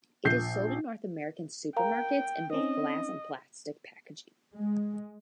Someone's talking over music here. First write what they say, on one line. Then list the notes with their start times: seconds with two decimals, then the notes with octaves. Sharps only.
It is sold in North American supermarkets in both glass and plastic packaging.
0.25 A#1 G6 C7
1.76 A#4 F5 G5 A#5
2.53 C4 C#4 D#4 D#5
4.55 G#3